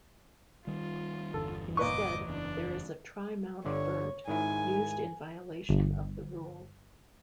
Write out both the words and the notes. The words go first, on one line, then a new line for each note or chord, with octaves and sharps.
Instead, there is a trimount vert used in violation of the rule.
D#3 G3 F4
G1 E2 D3 A4
A#2 B4 D#5 C#6 D6
F#1 E2 E3 D4
G1 D3 C#5 D5
G#2 D#3 E4 G#5
G1